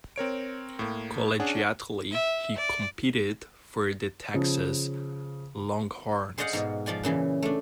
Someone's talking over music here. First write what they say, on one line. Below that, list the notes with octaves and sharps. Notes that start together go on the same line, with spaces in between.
Collegiately, he competed for the Texas Longhorns.
C4 A#4 C#5 D7
A2 A#3
C#4 D4 G#4 F#5
E5
D5
C#3 F3
G#4 C5 D5 D#5 F5 F#5
G#2 B2
F3 F4 D5 G#5
A#2 C#3 E3
A3 D4